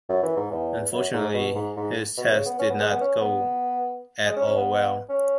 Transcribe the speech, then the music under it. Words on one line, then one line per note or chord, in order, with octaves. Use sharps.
Unfortunately, his tests did not go at all well.
F#2
E3
G#2
E2
F#2
G#2
B2
G#2
G#2
B2
C#3
B3
C#4
B3
G#3
B3
C#4
B3
G#3
C#4
C#4
B3
C#4